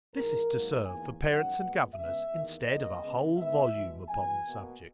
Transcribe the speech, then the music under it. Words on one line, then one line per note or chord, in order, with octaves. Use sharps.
This is to serve for parents and governors instead of a whole volume upon the subject.
G#2 E3 G#3 A#4
G#2 F#3 A#3
E2 D#3 A#3 G#5
F#2 D#3 F#3 F#5
A#2 G#3 B3
C#3 G#3 B3 E5
E2 D#3 A#3
B2 A#3 D#5
C#3 G#3 B3
G#2 D#3 G#3 B3 E5
E2 B2 G#3
E2 B2 G#3 B3 G#5
B2 A#3